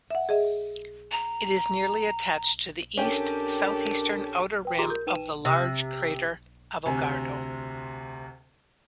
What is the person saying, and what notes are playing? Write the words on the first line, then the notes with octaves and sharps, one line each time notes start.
It is nearly attached to the east-southeastern outer rim of the larger crater Avogadro.
E5 F#5
G#4 D#5 E5
A#5
C#4 D4 G4 A4 A#4 G5
B4 G5
F4 G4 G#4 A#5 C6 D6
A#4 G6
D#4 B4 G5 D#7 E7
C3
D2 C3 G#5